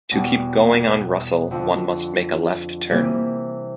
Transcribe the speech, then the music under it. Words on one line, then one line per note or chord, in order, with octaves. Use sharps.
To keep going on Russell, one must make a left turn.
E2 B2 G3
F2 D3 F3
C3 E3 G3 A#3